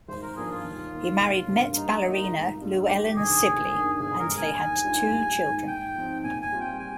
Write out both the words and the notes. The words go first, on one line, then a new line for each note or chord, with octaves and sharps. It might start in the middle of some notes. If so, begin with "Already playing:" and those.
He married Met ballerina Louellen Sibley and they had two children.
G#1 C5
A#4
G2 F3 A#3 D4 G#4
F4
D#2
D#3 A#3
G1
G2 D3 G3 A#3
G2 D#4
D#3 A#3 D#4 F4
G#1
G#2 G3 D4 F4
F1 G4
D#2 D3 G#4
G1
G2 D#3 A#3 D4
G1 G#4
A#4
G2 D3 G#3
G#5
D#2
D#3 G3 D4 F4
A#1
G#2 D#3
G#2 G5
F3 C4 D#4
A#2 G#5
G#5
G3 C4 F4
G5
G#5